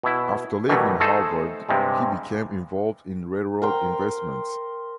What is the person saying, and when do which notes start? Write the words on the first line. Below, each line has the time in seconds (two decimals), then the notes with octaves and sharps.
After leaving Harvard he became involved in railroad investments.
0.03 B2 E4
0.69 B2 D#3 E3 F#3 G3 A3
1.00 A3 D#4 G#4 A4 C5
1.69 G2 C3 G3 G#3
3.62 A#4 C5 G5